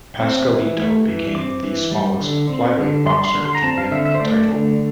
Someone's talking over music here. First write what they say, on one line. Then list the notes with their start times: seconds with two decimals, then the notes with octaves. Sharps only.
Pascualito became the smallest flyweight boxer to win a title.
0.20 C4
0.49 E3
0.78 A3
1.06 E3
1.35 C4 D6
1.63 E3
1.91 G3
2.21 D3
2.49 C4
2.78 D3
3.06 G3 C6
3.25 C6
3.34 D3
3.45 C6
3.55 A#5
3.63 C4 A5
3.78 F5
3.91 D3 E5
4.05 E5
4.15 C5
4.20 A3 D5
4.49 D3